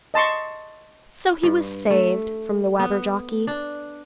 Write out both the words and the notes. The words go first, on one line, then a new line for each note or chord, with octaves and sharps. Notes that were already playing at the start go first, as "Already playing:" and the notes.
So he was saved from the Wabberjocky.
D#5 A5 C6 C#6
G2
A3
B3
D4